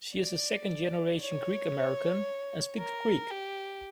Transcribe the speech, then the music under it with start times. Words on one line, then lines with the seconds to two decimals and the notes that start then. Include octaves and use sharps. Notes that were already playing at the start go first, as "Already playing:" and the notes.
She is a second-generation Greek-American and speaks Greek.
0.16 D5
1.21 C#5
2.79 A#4
3.31 G4